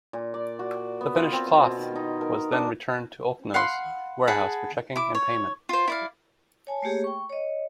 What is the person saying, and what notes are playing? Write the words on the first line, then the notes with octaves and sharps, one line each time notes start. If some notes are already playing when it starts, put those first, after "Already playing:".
The finished cloth was then returned to Oldknow's warehouse for checking and payment.
A#2
D5
F#4
B3
F4
C4
C5
B2
D#3
D#4
A#4
D4
F5 F#5 B5 C6
G#4 F#5 A5 B5
E4 D6
C#5
F4 C5
E4 D5 F5
C#5 G#5 A5
A3 A#3 G4 G#4 C#5
G5 C#6
C#5 D#5